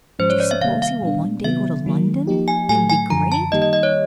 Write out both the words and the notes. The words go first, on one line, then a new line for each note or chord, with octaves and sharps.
"Do you suppose he will one day go to London and be great?"
G#2 F3 G#3 C#4 C5
C#5
D5
E5
C3 D#3 G3 A#3 F5
F5
A#2 G3 B3 D4
C3 D#3 F#3 B3 E5
D#3 F#3 A#3
F3 A#3 D#4 G4
G#5
A2 F#3 A3 G#5
G#5
F#2 D3 F3 A#5
A5
D#3 G3 A#3 D#4 G4 D#5
D#5
D#5
C#5